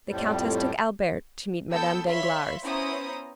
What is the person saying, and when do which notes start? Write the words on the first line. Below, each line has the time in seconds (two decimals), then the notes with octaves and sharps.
The countess took Albert to meet Madame Danglars.
0.09 F2 A2 G3
1.71 B3 A4 G5 A5 E6 G6
2.06 C#5 E5 F5 B5 C6 B6
2.62 B3 C#4 E4 C5 A#5 D#6